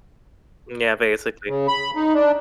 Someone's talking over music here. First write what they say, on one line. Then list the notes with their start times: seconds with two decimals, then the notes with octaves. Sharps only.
Yeah, basically,
1.48 C#3
1.68 B5
1.96 D#4
2.14 D4